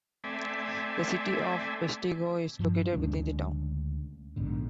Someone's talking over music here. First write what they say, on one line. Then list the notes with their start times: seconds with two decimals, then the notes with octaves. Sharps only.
The City of Peshtigo is located within the town.
0.24 A3 C4 D5 E5 G#5
2.59 G2 F3
2.93 D2 C#3 G#3 D4
4.36 A#1 G#2 B2 D3